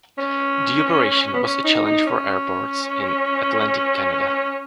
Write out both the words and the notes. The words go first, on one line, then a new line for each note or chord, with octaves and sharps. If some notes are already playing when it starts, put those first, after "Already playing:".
The operation was a challenge for airports in Atlantic Canada.
C#4
B3
C#4
D#4
D#4
C#4